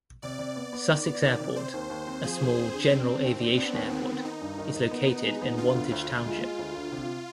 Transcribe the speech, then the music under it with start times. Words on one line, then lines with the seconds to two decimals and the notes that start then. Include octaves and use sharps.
Sussex Airport, a small general aviation airport, is located in Wantage Township.
0.22 C3 D5
0.39 C3
0.56 B3
0.73 B3
0.89 D#3
1.06 B3
1.23 D#3
1.40 C3
1.56 C4 C5
1.73 D#2
1.89 D#2
2.07 C4
2.23 F3 G#4
2.40 D#2
2.57 C4
2.74 D3
2.91 C4 D4
3.06 D4
3.24 D#2
3.40 D4
3.57 B3 D4
3.74 D#2
3.90 D#3 C4
4.08 D#3
4.24 D#3 D#4
4.41 G2
4.58 D#3
4.74 D#3
4.91 B3
5.08 B3
5.25 G#3
5.42 B3
5.58 D3 F4
5.74 D2
5.92 D2
6.08 D2
6.25 G#3
6.42 G#3
6.59 D2
6.76 D3
6.92 C3